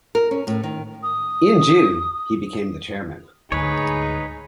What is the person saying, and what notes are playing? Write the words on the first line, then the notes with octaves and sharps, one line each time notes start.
In June, he became the chairman.
A#4
C#4
A2
D#3
D#6
D2 G#2 D#4 G#4 B4 C#5